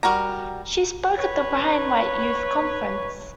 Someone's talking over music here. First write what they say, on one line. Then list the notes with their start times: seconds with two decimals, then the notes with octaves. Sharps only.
She spoke at the Ryan White Youth Conference.
0.03 G3 F#4 A#4 A#5
1.18 B4 C#5